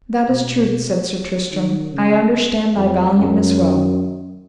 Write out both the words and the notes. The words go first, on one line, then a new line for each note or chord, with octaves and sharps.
That is truth, said Sir Tristram, I understand thy valiantness well.
B2
D#3
C#3
F2
F#2